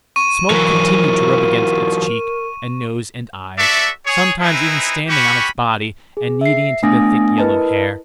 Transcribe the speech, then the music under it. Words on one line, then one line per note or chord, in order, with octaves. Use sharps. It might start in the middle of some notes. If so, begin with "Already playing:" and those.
Smoke continued to rub against its cheek and nose and eyes, sometimes even standing on its body and kneading into the thick yellow hair.
C#6 D#7
E3 F#3 A#4
F#4 A4 D5 E5
G#4 C#5
C4 D#4 E4 G#4 B4
C#4 F#4 G4 B5 C#6
G#4
E5 C7
A3 B3 D4 G#5 D#6 A#6
E4 A#4 B4 D#5 A5